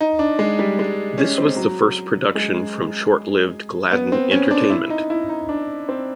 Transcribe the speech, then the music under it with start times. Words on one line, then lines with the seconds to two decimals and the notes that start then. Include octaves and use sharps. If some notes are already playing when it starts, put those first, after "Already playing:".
This was the first production from short-lived Gladden Entertainment.
0.01 D#4
0.19 D4
0.39 G#3
0.59 G3
0.79 G#3
1.18 C#4
1.38 C4
1.56 F#3
2.35 G#3
3.92 B3
4.12 C4
4.31 C#4
4.51 D4
4.70 E4
4.90 D#4
5.10 E4
5.29 D#4
5.49 D4
5.89 C4